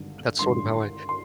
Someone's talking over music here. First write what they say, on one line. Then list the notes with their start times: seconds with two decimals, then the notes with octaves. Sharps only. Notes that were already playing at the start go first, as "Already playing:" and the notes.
That's sort of how I
Already playing: G#1 G2 D3
0.39 G#1 G2 D3 C6
1.09 C6